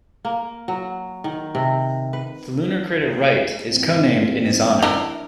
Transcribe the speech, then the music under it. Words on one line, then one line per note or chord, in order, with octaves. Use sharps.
The lunar crater "Wright" is co-named in his honour.
A#3
F#3
D#3
C3
B4
G#2 E3 C4
D4 E4 A#4